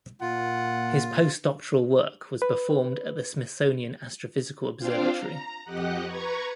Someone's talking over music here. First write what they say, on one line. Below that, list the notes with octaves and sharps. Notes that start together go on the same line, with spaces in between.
His post-doctoral work was performed at the Smithsonian Astrophysical Observatory.
A#2 F4 F#5
B4
C4 D4 F4 C5 F5 G5
A#5
F2 G4 D#5 F#5 F#6
B4 A#5 C#6 G#6